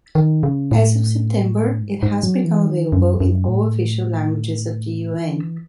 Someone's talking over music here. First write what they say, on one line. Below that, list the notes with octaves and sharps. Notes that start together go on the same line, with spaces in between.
As of September, it has become available in all official languages of the UN.
D#3
C#3
A2
G#2
G#2
F#3
E3
D#3
F#2
F#2
A2
E3